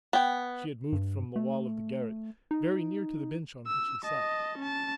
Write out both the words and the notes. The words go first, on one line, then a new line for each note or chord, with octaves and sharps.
She had moved from the wall of the garret, very near to the bench on which he sat.
B3 G5
G2
A3
D#4
E6
D#5 A5
C#4 A5